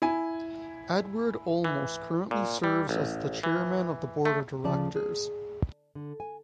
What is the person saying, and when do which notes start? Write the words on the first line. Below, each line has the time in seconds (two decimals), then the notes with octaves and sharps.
Edward Olmos currently serves as the Chairman of the Board of Directors.
0.02 E4 G#5
1.64 E3
2.31 A#2
2.64 G3
2.89 A1
3.43 E3
4.25 A3
4.64 D2 C#3 F3 D5 A5
4.96 G#4
5.95 D3
6.20 G#5